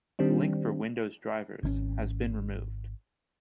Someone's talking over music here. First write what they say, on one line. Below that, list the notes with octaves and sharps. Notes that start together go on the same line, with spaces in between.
The link for Windows drivers has been removed.
D#3 G3 C4 D4
G#1 C3 C#4